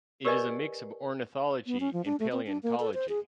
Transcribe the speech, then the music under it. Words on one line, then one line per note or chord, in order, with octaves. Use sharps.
It is a mix of ornithology and paleontology.
G4 A#4 B4 D5 D#5 G#5
B3
C#4
F3
D4
A3
C4
D4
A#3
A4
C5
G#4